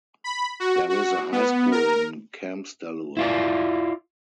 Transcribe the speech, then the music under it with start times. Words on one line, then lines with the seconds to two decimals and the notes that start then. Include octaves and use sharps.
There is a high school in Kambsdalur.
0.24 B5
0.60 F#4
0.89 F#4
1.32 B3
1.72 A#4
3.17 E4 F4 D5